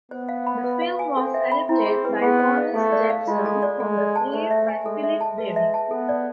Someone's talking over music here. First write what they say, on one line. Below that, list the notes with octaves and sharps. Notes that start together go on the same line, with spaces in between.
The film was adapted by Horace Jackson from the play by Philip Barry.
B3 C5
F5
B5
B4
F5
G#5
C4 A4
E5
B5
C4 E4
G#4
B4
B3 G#4
C5
F5
A3 A4
D5
F5
G#3 F4
A4
D5
G#3 A4
D5
A5
A3 C5
E5
G#5
G#3 A4
E5
A5
G#3 B4
E5
A5
B3 A4
D5